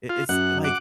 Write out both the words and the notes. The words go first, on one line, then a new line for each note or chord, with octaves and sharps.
It it's like,
F4
F#2 F#5
F#5 D6